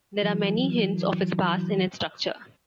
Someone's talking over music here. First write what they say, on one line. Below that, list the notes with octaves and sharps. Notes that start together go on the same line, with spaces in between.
There are many hints of its past in its structure.
E3 F#3